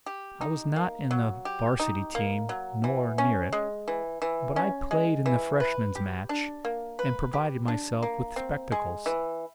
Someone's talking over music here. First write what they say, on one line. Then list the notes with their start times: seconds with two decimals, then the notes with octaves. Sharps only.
I was not in the 'Varsity team, nor near it; but I played in the Freshman's match, and provided myself with spectacles.
0.06 G4
0.41 D#4
0.76 A#3
1.11 F#3
1.45 G4
1.80 D#4
2.15 A#3
2.49 F#3
2.84 E3
3.18 C#4
3.53 G#3
3.88 E3
4.22 E3
4.56 C#4
4.91 G#3
5.26 E3
5.60 B4
5.95 G4
6.29 D4
6.65 A#3
6.99 B4
7.34 G4
7.68 D4
8.03 A#3
8.36 C4
8.72 G#3
9.06 E3